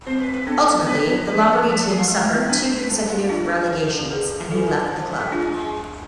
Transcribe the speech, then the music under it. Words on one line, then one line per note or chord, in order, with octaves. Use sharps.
Ultimately, the Lombardy team suffered two consecutive relegations, and he left the club.
C4 C5
B4
B4
B3 D4 A4
B3 D4 B4
B3 D4 B4
F3 B4
A4
F3 B4
A4
G#4
F4
G#3 F4
A3
B3
B3 D4 B4
C5
B4
A4
F4
D4 E4 F4
G#3
F3
D3
G#4 B4
E3 F4 A4
F3
A3
G#3 D4 F4
G#3